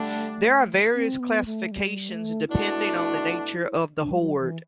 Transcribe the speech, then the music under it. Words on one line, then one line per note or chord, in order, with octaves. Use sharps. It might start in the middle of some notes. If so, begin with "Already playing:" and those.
There are various classifications depending on the nature of the hoard.
Already playing: D3 G3 A3 D4
C4
B3
A3
G3
A3
B2 A3 D4 E4 F#4
D4
G3
F#3
E3